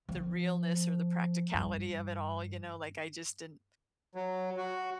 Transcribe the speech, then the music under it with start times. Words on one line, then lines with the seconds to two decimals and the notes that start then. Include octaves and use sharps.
the realness or the practicality of it all, you know, like, I just didn't
0.09 F3
1.54 G2
4.15 F#3
4.57 F#4